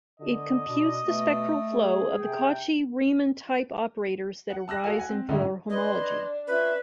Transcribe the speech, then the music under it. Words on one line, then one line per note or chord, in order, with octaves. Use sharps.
It computes the spectral flow of the Cauchy-Riemann-type operators that arise in Floer homology.
D3 D#5
B2 D4
B2 A3
G#4
C3 G5
F#5
A5 E6 F#6 A#6
F#4 A4 D#5 F5 F#5 G#5
F#5 G#5
C4
G#2 D3 G3 G#3 C#4 E4
D4 B4 D#5 C6 G#6
C#4 F4 B4 E5